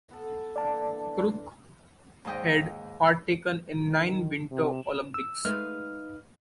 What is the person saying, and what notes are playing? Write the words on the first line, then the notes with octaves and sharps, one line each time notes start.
Krook had partaken in nine Winter Olympics.
B3 A4
D3 E3 A#3 D5 A5
D#2 G#2 D#5 G5
D#3
C3
E6
G#3 A3 D#4 B4 F5 F6